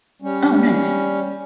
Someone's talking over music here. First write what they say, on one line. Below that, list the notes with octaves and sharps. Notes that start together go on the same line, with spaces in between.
Oh, nice.
G3 C#4